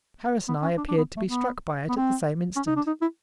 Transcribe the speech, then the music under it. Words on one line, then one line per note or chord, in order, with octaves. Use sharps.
Harris and I appeared to be struck by it at the same instant.
B3
C#4
D4
D4
B3
A3
B3
B3
C4
C#4
D#4
D4
D#4
E4